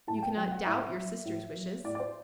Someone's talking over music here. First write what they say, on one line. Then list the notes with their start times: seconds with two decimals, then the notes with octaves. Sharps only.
You cannot doubt your sister's wishes.
0.07 A2 A5
0.23 G5
0.37 F#3 G5
0.51 F#5
0.66 A2 E5
0.96 F#3
1.25 A2
1.55 F#3
1.84 A2 D5
1.95 D5
2.00 C5